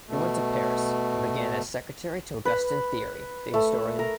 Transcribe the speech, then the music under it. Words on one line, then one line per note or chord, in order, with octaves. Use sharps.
He went to Paris and began as secretary to Augustin Thierry, the historian.
B2 A3
B4
A3
A#4